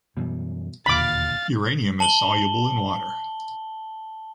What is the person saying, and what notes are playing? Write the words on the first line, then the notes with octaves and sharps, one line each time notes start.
Uranium is soluble in water.
F#2 B2 E3 G3
E1 D#2 A#2 D3 F5 B5 D6 A6
A5 F#7 G7